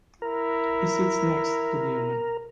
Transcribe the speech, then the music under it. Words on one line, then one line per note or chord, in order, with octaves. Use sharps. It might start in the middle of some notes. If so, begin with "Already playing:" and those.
He sits next to the woman.
E4 A#4